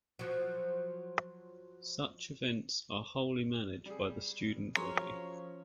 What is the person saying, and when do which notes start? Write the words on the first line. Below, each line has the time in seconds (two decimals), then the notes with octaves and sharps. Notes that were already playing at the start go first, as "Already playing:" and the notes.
Such events are wholly managed by the student body.
0.19 F3 F#3
3.86 G3 G#4
4.75 F3 F#3 C#4 G#4 A#4 C#5 C6